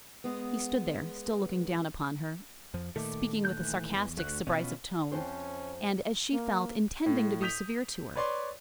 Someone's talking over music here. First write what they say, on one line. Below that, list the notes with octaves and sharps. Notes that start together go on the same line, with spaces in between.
He stood there, still looking down upon her, speaking with a sarcastic subrisive tone, and, as she felt, intending to be severe to her.
G#3 B3
F2 F3
A#2 D#3 A3 A4 D6
E3 F#6 G6
E2
D2 A3 F#4 F#6
B2 C#4 F4 B4
F2 C#4 C5
A#3
A2
D#6 G6 B6 F7
B4 C#5 D5 C6